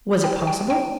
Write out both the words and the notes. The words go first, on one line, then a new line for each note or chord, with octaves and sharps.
Was it possible?
G5
G5
G5